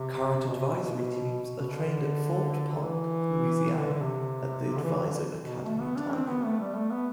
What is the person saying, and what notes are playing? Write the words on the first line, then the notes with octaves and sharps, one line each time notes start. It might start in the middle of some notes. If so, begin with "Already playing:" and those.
Current Advisory Teams are trained at Fort Polk, Louisiana at the Advisor Academy, Tigerland.
Already playing: C3
B2
C3
B2
B2
B2
D3
D3
E3
D3
D3
C3
C3
D3
E3
E3
D3
B2
A3
B3
D4
C4
B3
A3
G3
A3
B3